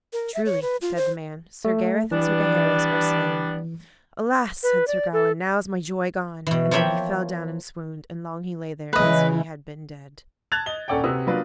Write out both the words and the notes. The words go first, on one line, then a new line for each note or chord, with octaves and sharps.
"Truly," said the man, "Sir Gareth and Sir Gaheris are slain." "Alas!" said Sir Gawain, "now is my joy gone." And then he fell down and swooned, and long he lay there as he had been dead.
A#4
E5
C#5
B4
F4
C5
A3
E3 G3 B3 D4
B4
D5
A4
B2 E3
F3 A#3 C#5 E5 G5 B5
C#3 E3 G#3 B4 D#5
A5 F#6 G#6 A6 F7
D#5 G7
D#1 C#4 A4 D5 F#5 G5
C3 F#4 B4 D#6 E6
F#3 A#3 B3 D4 F4 B4